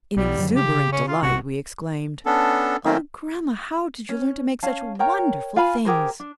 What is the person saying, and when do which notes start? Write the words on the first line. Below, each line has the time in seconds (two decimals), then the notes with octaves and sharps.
In exuberant delight we exclaimed, "Oh, grandma, how did you learn to make such wonderful things?"
0.16 B1 G3
0.37 F#2 D3 F#3
0.55 C#3 G4
0.92 C#4
1.07 F4
1.22 B1 C3 F#4
2.26 B3 C#4 D4 A4
2.85 D#3 F#3 A3 A#3 C4 C#4
4.09 C#4
4.63 C#4 F5 A5
4.99 A#4 C#5 G5 A#5
5.56 F4 F5 G#5 B5
5.85 G4 G#4 A#4 C5
6.20 D4